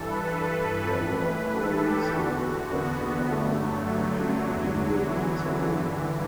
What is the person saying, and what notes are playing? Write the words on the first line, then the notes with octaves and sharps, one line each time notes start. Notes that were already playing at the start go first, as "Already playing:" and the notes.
There were quarries around West Malvern including Dingle and several more.
Already playing: G2 E3 A4
B4
A2 E3
A4
G4
E2 D3 F#4
B3
G2 D3 A3
F#3
E2 D3 F#3
E3
G2 D3